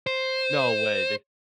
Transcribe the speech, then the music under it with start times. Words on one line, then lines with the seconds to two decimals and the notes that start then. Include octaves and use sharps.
No way, they
0.07 C5